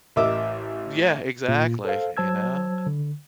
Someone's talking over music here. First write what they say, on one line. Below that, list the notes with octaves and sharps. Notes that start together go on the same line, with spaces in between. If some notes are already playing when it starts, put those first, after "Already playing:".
Yeah, exactly, you know?
A1 A#4 D#5 E5 D6 E6
A#2 A#3 F4
A4 C5 F5
F#3 C5 A5 E6 G#6
D3